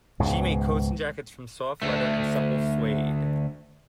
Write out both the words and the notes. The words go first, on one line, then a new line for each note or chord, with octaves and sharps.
She made coats and jackets from soft leather and supple suede.
C#2 G#2 B2
D2 A3